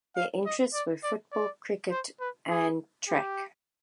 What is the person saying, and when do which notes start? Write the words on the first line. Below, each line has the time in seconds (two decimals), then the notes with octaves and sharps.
Their interests were football, cricket and track.
0.16 F5
0.46 D#5
0.74 D5
1.03 D5
1.32 D5
1.91 C5
2.20 B4
2.50 G#4
3.08 G4